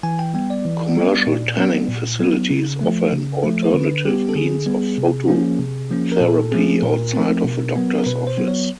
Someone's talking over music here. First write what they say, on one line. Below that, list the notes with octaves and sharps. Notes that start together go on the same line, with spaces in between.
Commercial tanning facilities offer an alternative means of phototherapy outside of a doctor's office.
E3 G#5
G5
G3 B3 G5
D5
E3
G3 B3
A#2
F#3 B3
A#2
F#3 B3
C#3
F3 A3
C#3
F3 A3
C5
D3 B4
G3 B3 G4
A4
D3 G#4
G3 B3
C3
F3 A#3 C#4
C3
F3 A#3 C#4
A#4
A#2 A4
F3 A3 C4 G#4
A#2 A#4
F3 A3 C4
B2
F#3 B3
A#4
B2 B4
C5
F#3 B3
C#5